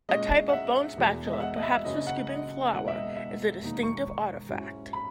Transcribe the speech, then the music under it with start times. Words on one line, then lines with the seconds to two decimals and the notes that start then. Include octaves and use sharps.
A type of bone spatula, perhaps for scooping flour, is a distinctive artifact.
0.09 A#2 G#3 C#4 D#5
0.49 F#5
0.53 E5
0.96 E1 E2 B2 G#3
1.27 D#5
1.33 E5
1.40 F#5
1.56 D#5
1.63 E5
1.85 F#1 F#2 C#3 F#3 C#4 D#5
2.07 F#5
2.29 D#5
2.73 E1 E2 B2 A#3 E4 F#5
2.88 E5
2.95 D#5
3.17 E5
3.61 E1 D#2 D#3 A#3 D#4
3.83 C#6
4.49 G#2 F#3 C#4 E4
4.93 B5